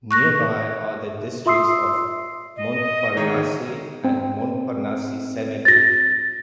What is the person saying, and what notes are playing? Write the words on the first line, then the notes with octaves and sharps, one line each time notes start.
Nearby are the districts of Montparnasse and Montparnasse Cemetery.
C#6 F#6 A#6
F4 E5 C6 D#6 E6 C7
D#5
G#2 D#3 G#4 C#5
C4
A6 A#6